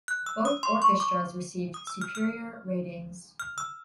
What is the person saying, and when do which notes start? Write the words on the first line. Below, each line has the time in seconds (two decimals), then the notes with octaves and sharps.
Both orchestras received superior ratings.
0.08 F#6
0.26 E6
0.45 D#6
0.63 C6
0.82 C#6
1.00 D6
1.74 D#6
1.87 E6
2.01 F6
2.15 F6
3.40 F6
3.58 E6